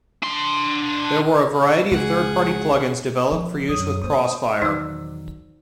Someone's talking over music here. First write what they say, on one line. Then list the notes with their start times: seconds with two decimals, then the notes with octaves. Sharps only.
There were a variety of third-party plugins developed for use with Xfire.
0.23 D4 C6
1.91 C#2 G#4 F#5
3.32 F3
3.69 F#2 C#3 F#3 D#6
4.03 A#3 C5
4.62 E2 D#3 F#3 D#4 C5 D5 E6